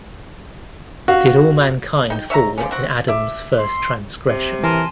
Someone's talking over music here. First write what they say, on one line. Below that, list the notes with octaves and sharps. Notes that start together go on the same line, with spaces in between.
Did all mankind fall in Adam’s first transgression?
F#4 F5
D#4 G5
C#5 E5 F#5 A#5
D3 F3 F#3 C#4
C4 F#4
E5 D6
C6
C3
E3 A#4 G#5 A5 C6